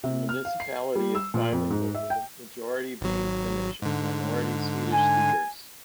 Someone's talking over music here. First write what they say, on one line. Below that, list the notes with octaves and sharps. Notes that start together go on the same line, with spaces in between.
The municipality is bilingual, with majority being Finnish and minority Swedish speakers.
C3
F6
F5
C7
G3
E6
A#2
F2
G#2
E5
G5
G#1 F#3
G#2 D3
G#5